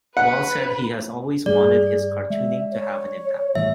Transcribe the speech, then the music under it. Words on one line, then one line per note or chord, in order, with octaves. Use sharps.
Ball said he has always wanted his cartooning to have an impact.
B4 F#5
G2 G3 G#4 D5
G#3 E5
C#5
A2 E3 G3 E5